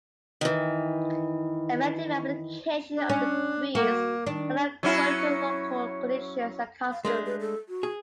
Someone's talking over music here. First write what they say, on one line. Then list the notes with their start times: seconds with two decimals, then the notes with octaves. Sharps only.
Effective application of the decrees varied according to local conditions and customs.
0.41 D#3 E3
2.97 D4
3.09 C#4
3.75 A#3 F#4
4.27 D#3 D4
4.83 F#3 C#4 E4
6.92 F5
7.05 G#3 A3 D4 A#4
7.26 B4
7.40 A4
7.69 F#4
7.83 G#4